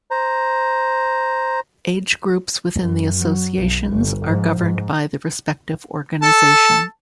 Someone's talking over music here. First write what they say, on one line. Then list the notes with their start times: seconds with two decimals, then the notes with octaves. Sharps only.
Age groups within the associations are governed by the respective organization.
0.11 C5 A#5
2.79 F#2
3.17 F#3
3.59 B1
3.89 G1
4.26 G#2 F3
4.59 G#2
6.23 A4 A5